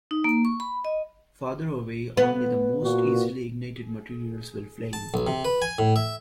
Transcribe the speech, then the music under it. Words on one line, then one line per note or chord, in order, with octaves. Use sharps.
Farther away, only the most easily ignited materials will flame.
D#4
A#3
C#6
B5
D#5
B3
A#2 F#4
A5
B1
C3
B4
G#5
A2
E5